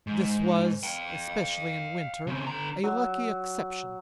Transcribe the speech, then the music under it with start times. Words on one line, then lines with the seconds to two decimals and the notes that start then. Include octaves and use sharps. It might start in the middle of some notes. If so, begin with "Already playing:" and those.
This was, especially in winter, a lucky exception.
0.07 G#2
0.83 F5 G5
2.27 C#3 C4
2.47 D3 A#5
2.84 F#3